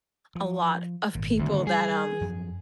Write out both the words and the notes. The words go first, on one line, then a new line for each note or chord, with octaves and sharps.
a lot of people that, um,
F3
G#1 A#2
D2 D#3 G3 C4
G3 G#4
F#2 F3